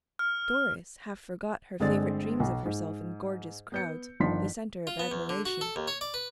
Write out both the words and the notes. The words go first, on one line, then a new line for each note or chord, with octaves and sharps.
Doris half forgot her favorite dreams of herself in gorgeous crowds, the center of admiration.
F6
G1 D3 G#3 C4 D5 A6
B1
G#2
B3 G6 C#7
G1 D#3 F3 D4 C6 B6
F4
B3
E2
D3
F#4
A4
D#2
C#5
D5
B4